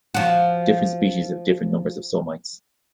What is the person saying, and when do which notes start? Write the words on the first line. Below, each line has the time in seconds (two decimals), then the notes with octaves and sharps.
Different species have different numbers of somites.
0.14 F3 F#4